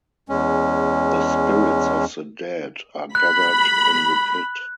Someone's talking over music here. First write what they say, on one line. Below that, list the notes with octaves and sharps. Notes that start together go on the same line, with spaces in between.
The spirits of the dead are gathered in the pit.
E2 G#3 C#4
B5 F#6